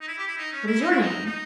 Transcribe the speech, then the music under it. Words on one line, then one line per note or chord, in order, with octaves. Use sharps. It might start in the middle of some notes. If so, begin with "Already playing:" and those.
"What is your name?"
D#4
E4
G4
E4
D#4
C#4
E4
D#4
E4
D#4
D#4